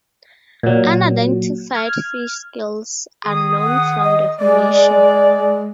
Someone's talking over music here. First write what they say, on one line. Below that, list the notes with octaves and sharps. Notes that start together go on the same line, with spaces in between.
Unidentified fish scales are known from the formation.
A#2 F#3
F6 G#6
D#3 G#4 D#6
F#5
D#5
G#3 D5